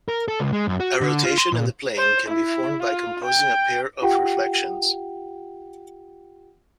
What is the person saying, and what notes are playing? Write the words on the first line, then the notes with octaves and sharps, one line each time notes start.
A rotation in the plane can be formed by composing a pair of reflections.
A#4
A4
C#2
G#3
F#2
F#4
D3
F4
C6
A#2
C5
E4
F4
G5
F4 G4 F#5 G5